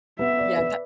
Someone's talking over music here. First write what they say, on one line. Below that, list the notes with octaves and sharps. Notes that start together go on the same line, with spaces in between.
Yeah, th
B3 E5
D5
B4